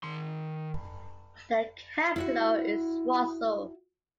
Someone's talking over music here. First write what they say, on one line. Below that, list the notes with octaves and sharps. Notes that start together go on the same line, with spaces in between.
The capital is Roseau.
D#3 C6
E4 F#4 F#5